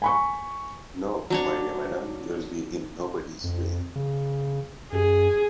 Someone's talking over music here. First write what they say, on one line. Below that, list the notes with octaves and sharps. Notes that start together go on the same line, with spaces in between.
No, my dear madam, you will be in nobody's way.
G#5 B5 C#6
F#3 D4 C#5
F2
C#3
F#2 G#4